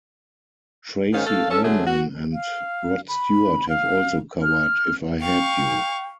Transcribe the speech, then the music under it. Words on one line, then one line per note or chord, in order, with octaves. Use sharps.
Tracey Ullman and Rod Stewart have also covered If I Had You.
G#2 D#3 C#4 F5
A3 A4 F5
C#4 A4
D3 F#3 A3 G#4
F#4
F5
B5
F5
F6
F5 G5 C#6